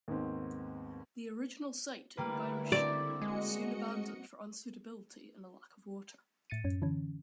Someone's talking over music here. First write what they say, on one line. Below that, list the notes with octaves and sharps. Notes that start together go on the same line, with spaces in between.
The original site at Bayrischzell was soon abandoned for unsuitability and lack of water.
D#2 G#2 B3 C4
D3 G3 A3 A#3 E4 B4
C4 D5
G#3 F#4 D#5 C#7
A2 A6 C#7 D#7
F#2 C#4
D3 E3 C#4